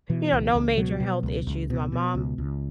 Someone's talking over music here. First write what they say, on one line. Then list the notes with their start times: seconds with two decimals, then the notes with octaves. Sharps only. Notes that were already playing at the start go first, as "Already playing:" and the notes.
You know, no major health issues. My mom
0.09 B2 E3
0.33 C#2
0.55 C#2
0.77 B2 F#3
1.00 B2
1.23 C#2
1.47 C#2
1.70 B2
1.92 B2
2.15 C#2
2.38 C#2